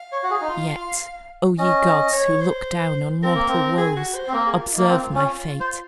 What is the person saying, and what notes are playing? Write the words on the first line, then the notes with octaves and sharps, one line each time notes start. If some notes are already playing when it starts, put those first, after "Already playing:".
Yet, O ye gods, who look down on mortal woes, observe my fate!
Already playing: F5
C#5
F#4
G#4
D#4
F4
C#4 D#5
C#5
C5
C4 A#4
A#3
C4
G#4
F#4
C5
C4
A#3 A#4
G#4
F4
A#3 D#4
C4 F4
C#4
C5